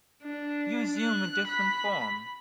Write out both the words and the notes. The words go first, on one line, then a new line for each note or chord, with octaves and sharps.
You assume a different form.
D4
F#6
B5